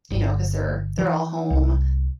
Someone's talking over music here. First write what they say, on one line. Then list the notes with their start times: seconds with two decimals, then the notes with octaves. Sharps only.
you know, 'cause they're they're all home,
0.11 G1
0.98 E3
1.50 C2